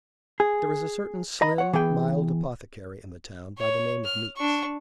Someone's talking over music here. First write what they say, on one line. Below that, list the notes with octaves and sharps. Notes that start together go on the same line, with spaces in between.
There was a certain slim, mild apothecary in the town, by the name of Meeks.
G#4
D#5 A#5 B5
C#5 F#5
E3 B3 G#4 G5
C#5
F6
D4 C#6